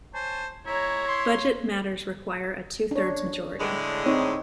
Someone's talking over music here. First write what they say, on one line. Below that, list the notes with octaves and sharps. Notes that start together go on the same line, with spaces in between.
Budget matters require a two-thirds majority.
C5 C#5 G#5 A5
G#3 E4 C#5 A#5
C6
D4 C#5
A2 D3 G#3
C4 D#4 C#5